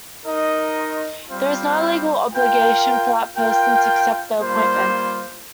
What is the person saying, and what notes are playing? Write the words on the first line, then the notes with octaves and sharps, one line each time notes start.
There is no legal obligation for that person to accept the appointment.
D#4 A#4 D#5
G3 C4 F4 C5 F5
F4 A#4 G5
F4 A#4 G5
G3 A#3 F4 C5